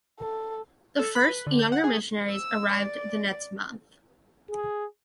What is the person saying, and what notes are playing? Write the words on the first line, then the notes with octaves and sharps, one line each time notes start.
The first younger missionaries arrived the next month.
A4
A4
B5
B4
D3
G6
F#5
G#4
E6
D5
G#4